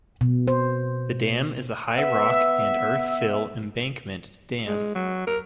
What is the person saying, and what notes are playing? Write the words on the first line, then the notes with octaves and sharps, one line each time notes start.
The dam is a high rock and earth-fill embankment dam.
B2
C5
B3 E5
G#3
F#3
A#4